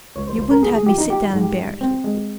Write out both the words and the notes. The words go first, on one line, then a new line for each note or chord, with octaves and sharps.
You wouldn't have me sit down and bear it.
C#2 C#5
C5
C#2 C5
A#4
C#3 G#4
G#4
F3 G4
D#4
D#4 G4
G#2
G4
G3
C4
G#3